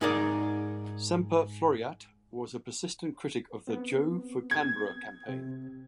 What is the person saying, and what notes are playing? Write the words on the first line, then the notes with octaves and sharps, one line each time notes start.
"Semper Floreat" was a persistent critic of the "Joh for Canberra" campaign.
G#2 D#4 G#4 A#4 D5
B3 C4
G#6
C3 C4